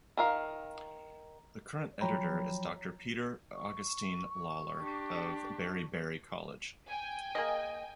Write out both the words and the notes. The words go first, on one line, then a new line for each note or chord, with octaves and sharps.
The current editor is Doctor Peter Augustine Lawler of Berry Berry College.
D#3 A#4 F5
F3 F#3 C#5 G5 A#5 B5
C#6
D4 G4
G5 G#5
A#3 G#4 D#5